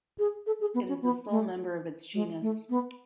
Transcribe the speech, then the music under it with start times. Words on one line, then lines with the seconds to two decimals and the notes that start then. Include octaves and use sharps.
It is the sole member of its genus.
0.19 G#4
0.46 A4
0.61 G#4
0.74 B3
0.88 C#4
1.02 B3
1.30 A3
2.14 G#3
2.42 A3
2.70 B3